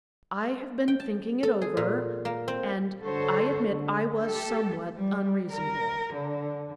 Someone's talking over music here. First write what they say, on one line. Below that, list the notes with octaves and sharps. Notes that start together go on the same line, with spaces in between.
I have been thinking it over, and I admit I was somewhat unreasonable.
G5
A5
A4
G#4
A#2
A#3
C4
D3 F#4 A4 C5 C#5
D3
G4 A4
G3
A#4
D3